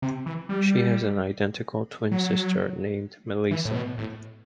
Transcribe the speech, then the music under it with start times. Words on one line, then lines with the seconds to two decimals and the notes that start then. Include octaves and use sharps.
She has an identical twin sister named Melissa.
0.02 C3
0.26 E3
0.49 G3
2.12 F#3
3.51 E3
3.65 A2
3.75 B2
3.98 A2